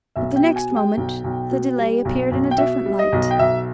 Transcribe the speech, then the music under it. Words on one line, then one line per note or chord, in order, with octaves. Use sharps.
But the next moment, the delay appeared in a different light.
B1 E5
G5
B2
G#5
G3
G5
B1
B1
B2
G3
B1
B1
G5
B2 E5
G3
D#5
B1
G5
B1 E5